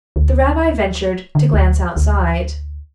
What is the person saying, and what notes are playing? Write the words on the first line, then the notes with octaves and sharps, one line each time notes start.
The rabbi ventured to glance outside.
D2
D3
D2
D2